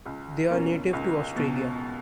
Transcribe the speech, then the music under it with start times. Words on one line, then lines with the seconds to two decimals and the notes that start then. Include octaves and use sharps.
They are native to Australia.
0.06 C#2
0.50 B2 A#3 C#4
0.93 C#2
1.36 B2